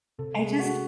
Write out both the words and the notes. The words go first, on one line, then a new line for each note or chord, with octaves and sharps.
I just
C3 A4
G#3
F#4